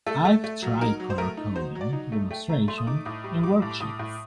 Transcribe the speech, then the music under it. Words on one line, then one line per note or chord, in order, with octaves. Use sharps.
I’ve tried color coding, demonstration, and worksheets.
A3 A4
A3
A3
F#3
D#4 A#4
F#3
C5
A3 A#4
D#4
F#3 C5
F#3
D5
D#4
A3
A3 G5
A3 A#5
A3 C6
D#6
D#4 D6
A2 D#6
G3
G3 D6
A2
D6
A2 D#6
A2